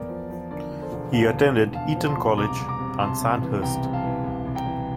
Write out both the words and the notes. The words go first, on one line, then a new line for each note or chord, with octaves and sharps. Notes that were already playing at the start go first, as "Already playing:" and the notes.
He attended Eton College and Sandhurst.
Already playing: E2 A#4 D5
F3
F3
D3 A#4 D5
D3
A4 C5
E1
E2 F5 A5
E2
D3
E2 F5 A5
F3
A5 C6
E1
C2 A#5 D6
C2
A#5 D6
C3
C3 A5 C6
C3
E3
C2 G5 A#5
C3
F5 A5
E3
C2
C2
G5 A#5
E3